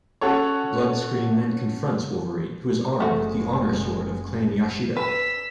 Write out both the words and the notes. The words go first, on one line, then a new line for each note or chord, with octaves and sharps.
Bloodscream then confronts Wolverine, who is armed with the honor sword of Clan Yashida.
C#4 F#4 A4 C#5
F#1 G#3 A3 F#4
B4 E6 B6